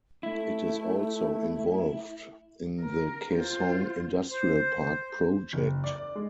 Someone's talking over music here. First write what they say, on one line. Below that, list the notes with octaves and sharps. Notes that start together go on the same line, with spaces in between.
It is also involved in the Kaesong Industrial Park project.
A3 E4
A#4
F4 C5
C5
F#1
D5
G#3